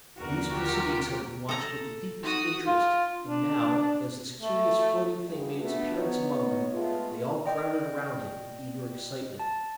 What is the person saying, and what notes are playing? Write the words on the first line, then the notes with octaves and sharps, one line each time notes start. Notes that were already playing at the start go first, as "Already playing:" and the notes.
These proceedings had been watched with the deepest interest; and now, as this curious floating thing made its appearance among them, they all crowded around it in eager excitement.
E2 D3 F#4 A#4
D#2 F4 G4
A4 A#5
D#4 F#4 D#6
F4
D4
A3
G2 D3 G3 F#4 G#4
A3 B3 D4 F4 F#4
B3 D#4 C#5
G#3 A3 B3 F4
D5 D#5 G5
A5